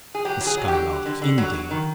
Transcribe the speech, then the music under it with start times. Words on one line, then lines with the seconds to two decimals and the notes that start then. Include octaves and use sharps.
The Skylarks, indeed!
0.15 G#4
0.25 F#3 G4
0.41 F#3
0.47 G#4
0.57 F#3
0.68 D3 G4
0.90 F#3
1.06 D3
1.22 D3
1.38 F#3
1.54 F#3
1.71 D#3